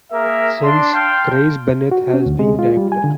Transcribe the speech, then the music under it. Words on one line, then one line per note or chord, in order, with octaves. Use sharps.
Since Craig Bennett has been director.
A#3 G#4 A#4 E5
D4 C6
F5 G5 A5 C6
F#4
C#4
D2
G#3
F4
G3
G#5
D3